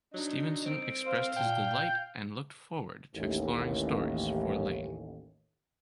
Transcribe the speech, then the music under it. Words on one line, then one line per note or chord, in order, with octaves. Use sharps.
Stevenson expressed his delight and looked forward to exploring stories for Iain.
F#3 D4 D#4
C4 D7
C5 F5
A#2 G5 A5
G6
A1 D#2